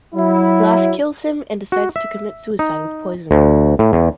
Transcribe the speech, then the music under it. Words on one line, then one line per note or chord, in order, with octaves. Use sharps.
Blas kills him and decides to commit suicide with poison.
F#3 E4
F#4
E5
D#4
D2
A2
E2